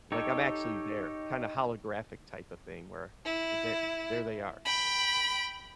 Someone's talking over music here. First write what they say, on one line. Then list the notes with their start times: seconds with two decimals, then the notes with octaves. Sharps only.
like, I'm actually there, kinda holographic type of thing where there there they are.
0.12 D#4 G4 A4 C#5
3.25 E4
4.65 G5 B5